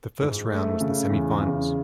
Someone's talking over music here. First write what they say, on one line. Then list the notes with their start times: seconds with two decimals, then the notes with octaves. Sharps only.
The first round was the semifinals.
0.22 G#2
0.51 A3
0.80 C#3
1.10 E2
1.39 C#3